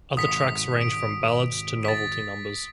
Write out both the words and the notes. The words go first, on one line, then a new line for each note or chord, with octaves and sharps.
Other tracks range from ballads to novelty numbers.
G#1 G#2 C3 D#6 B6
D7
A6 B6